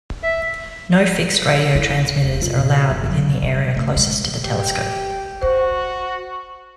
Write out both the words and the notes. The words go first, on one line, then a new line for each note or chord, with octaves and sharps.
No fixed radio transmitters are allowed within the area closest to the telescope.
E5
E4
E1
F4
B2
F1
F#3
G3
A3
G#3
G4
F#4 C5